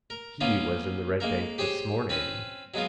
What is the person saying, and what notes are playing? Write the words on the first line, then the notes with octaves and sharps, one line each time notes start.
He was in the Red Bank this morning.
A#4
A#3 B3 C#4 F4
G#3 A#3 A#4
G4 G#4 C5 C#5 G5
C4 C#4 B4
F#3 G#3 B3 F4